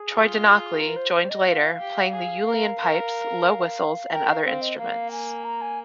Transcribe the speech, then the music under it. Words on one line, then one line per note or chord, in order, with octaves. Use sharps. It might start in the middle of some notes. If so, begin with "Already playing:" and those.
Troy Donockley joined later, playing the uilleann pipes, low whistles, and other instruments.
Already playing: G#4
F4
A#4
C5
C5
D#5
F4 F5
G4
G#4
A#4
A#4
A#4 G5
F5
C4 F5
D#5
A#3 F5
G#5
A#5
G#5